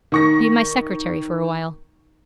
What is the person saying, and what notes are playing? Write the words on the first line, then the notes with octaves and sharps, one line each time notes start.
Be my secretary for a while.'
D#3 C#6 A#6